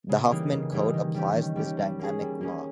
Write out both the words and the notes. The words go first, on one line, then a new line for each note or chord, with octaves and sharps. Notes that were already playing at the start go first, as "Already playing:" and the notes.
The Huffman code applies this dynamic law.
C#3
E3 G3 A#3 D#4
C#3
E3 G3 A#3 D#4
D#3
G3 C#4 G4
D#3
G3 C#4 G4
G3
A#3 C#4 G#4
G3
A#3 C#4 G#4